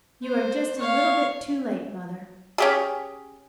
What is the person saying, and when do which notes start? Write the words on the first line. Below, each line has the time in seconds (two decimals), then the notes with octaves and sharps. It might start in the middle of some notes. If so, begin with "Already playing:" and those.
You are just a little bit too late, mother.
0.23 C5
0.79 C#5 F5
2.58 C#4 G4 G#4